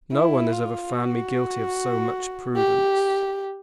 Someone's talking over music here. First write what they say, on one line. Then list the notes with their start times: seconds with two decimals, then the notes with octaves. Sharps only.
No one has ever found me guilty of so much prudence.
0.12 E4
0.52 F4
0.93 F#4
2.56 G4